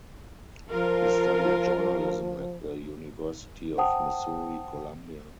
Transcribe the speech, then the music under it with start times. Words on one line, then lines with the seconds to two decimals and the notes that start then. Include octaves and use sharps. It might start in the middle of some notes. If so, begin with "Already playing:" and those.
He studied journalism at the University of Missouri-Columbia.
0.71 F3 F4 A#4
3.78 C5 F#5 G5 A5 D#6